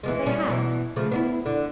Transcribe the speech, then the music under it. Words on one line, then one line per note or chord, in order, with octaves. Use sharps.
But they had.
E3 F3 G#3
G3 C#4
B2 E3
C#3 F3 A3
B3 C#4 E4
D3